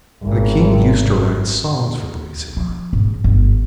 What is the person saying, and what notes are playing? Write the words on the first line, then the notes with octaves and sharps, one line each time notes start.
And the King used to write songs for Bellissima.
G#1
F3
G#2
G1